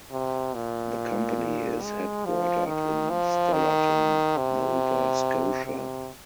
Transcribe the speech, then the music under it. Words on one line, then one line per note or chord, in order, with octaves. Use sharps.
The company is headquartered in Stellarton, Nova Scotia.
C3
A#2
G#3
F3
D#3
F3
D#3
C3
C3